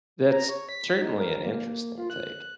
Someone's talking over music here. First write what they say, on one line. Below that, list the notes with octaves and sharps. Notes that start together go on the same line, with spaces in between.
That's, certainly an interesting take.
A#5
C#5
B6
D#4
A#4
A#3
F4
F#6